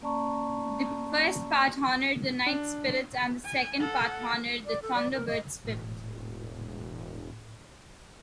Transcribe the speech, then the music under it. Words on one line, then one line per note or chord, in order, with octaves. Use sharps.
The first part honored the night-spirits and the second part honored the Thunderbird spirit.
A#3 C#4 D5 A5 A#5 C#6
D4
G#5
A4 F#5
D5
A4
D5
A#4
D#5
E1 A2